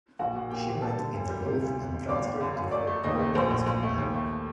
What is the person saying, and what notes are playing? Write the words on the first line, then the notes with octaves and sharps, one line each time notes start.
She met in the Gulf and transferred to her all the rescued men.
A#1 F#4 F#5
A#2
A#2 G4 G5
A#2
G3 A4 A5
D3
D2
G3
C3
D2
C3
C3
G1 D5 D6
G1
F#2
F#2
A3 D5 D6
A3
D#2 D#5 D#6
A3
A#1 C5 C6
A#1
A#1
A3
D#2
A3